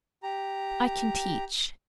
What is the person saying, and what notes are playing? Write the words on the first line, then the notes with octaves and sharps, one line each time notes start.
I can teach.
G4 A#5